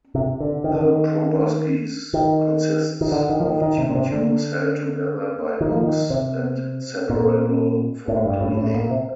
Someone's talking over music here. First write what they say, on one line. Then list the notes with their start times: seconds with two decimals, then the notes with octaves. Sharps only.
The proboscis consists of two tubes held together by hooks and separable for cleaning.
0.15 C3
0.40 D3
0.64 D#3
0.73 D3
0.81 D#3
2.13 D#3
3.01 D#3
3.12 D3
3.30 D#3
3.40 F3
3.46 D#3
3.62 D#3
3.78 C3
3.90 A#2
3.95 C3
4.11 D3
5.61 D#3
5.72 F3
5.83 D#3
6.10 C3
7.10 A#2
8.08 A2
8.25 G2
8.41 A2
8.57 A2
8.75 A#2
8.91 C3